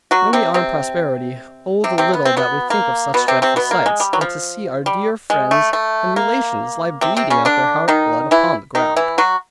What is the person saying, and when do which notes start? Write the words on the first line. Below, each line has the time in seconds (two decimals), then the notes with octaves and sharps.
When we are in prosperity, Oh the little that we think of such dreadful sights, and to see our dear friends, and relations lie bleeding out their heart-blood upon the ground.
0.11 F#3 F#4
0.33 C3 C4
0.54 C3 C4
1.84 C3 C4
1.98 C3 C4
2.14 B3
2.25 C4
2.37 B2 B3
2.70 A#3
3.14 B2 B3
3.28 C3 C4
3.42 C3 C4
3.56 B2 B3
3.71 A#3
3.86 G#3
4.00 G3
4.13 F#3
4.21 F3
4.86 G3
5.30 G#3
5.51 A3
5.73 A3
6.16 A#3
7.01 C3 C4
7.17 C3 C4
7.30 C#3 C#4
7.45 D3 D4
7.88 D#3 D#4
8.31 E3 E4
8.75 D#3 D#4
8.96 E3 E4
9.18 F#3 F#4